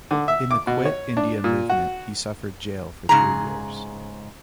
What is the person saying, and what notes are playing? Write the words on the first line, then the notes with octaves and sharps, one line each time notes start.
In the Quit India Movement he suffered jail for three years.
D3
E5
D6
B2
C#5
D4
A#2
F#4
G#2 C#3 G#4 A#5